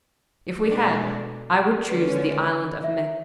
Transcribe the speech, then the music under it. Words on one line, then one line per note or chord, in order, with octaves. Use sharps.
'If we had I would choose the Island of Man.'
B2 G#3 D4 A4
D3 G#3 C#4 B4
B4
C#5
E5